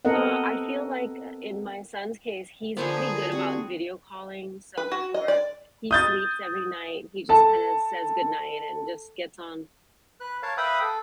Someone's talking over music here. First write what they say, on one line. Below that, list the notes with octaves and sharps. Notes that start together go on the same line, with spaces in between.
uh, I feel like, uh, in my son's case, he's pretty good about video calling, so before he sleeps every night, he just kinda says goodnight and just gets on
B3 C4 A4 A#4 D#5 F#5
D3 F3 A#3 B3 G#4 C5
G3 C4 F#4
B4
F#4
D#5
D5
D#6 G6 A6
A4 A5
B4 F#6
A#4 C#5 F5 A5
B4 E5 F5 G5 B5 D#6
A4